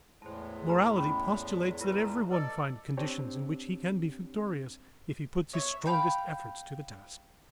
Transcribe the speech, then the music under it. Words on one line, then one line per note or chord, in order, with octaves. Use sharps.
Morality postulates that everyone find conditions in which he can be victorious if he puts his strongest efforts to the task.
E2 A2 G#3 C5 A5
G4 B4 A#5
C#4 B5 C#6
F4 A#4 B4
A5 A#5
A4 B4 D5 D#5
C4 D4 G4 C#5
C#5 E5
F5 G5 B5